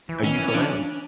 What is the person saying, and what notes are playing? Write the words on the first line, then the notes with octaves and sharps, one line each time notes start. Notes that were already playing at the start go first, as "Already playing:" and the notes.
a ukulele.
E3
D#3 C#4
E3
C#4
F3 D4